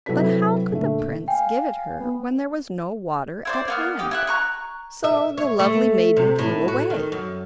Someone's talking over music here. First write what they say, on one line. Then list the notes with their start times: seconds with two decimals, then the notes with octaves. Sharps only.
But how could the prince give it her when there was no water at hand? So the lovely maiden flew away.
0.06 C3 F#3 E4 A4 B4 B6
0.71 A#2 D3 A3
1.28 F5 G5 G#5
1.99 B3
3.45 E4 C5 D5
3.68 A#3 B3 F6
3.99 D#4 G4
4.11 E4 E5 F#6
4.27 A#5 C#6 F#6
5.04 E5
5.38 C#5
5.59 A3
6.17 C3
6.39 A2
6.68 F#4
6.90 D#3
7.12 F#2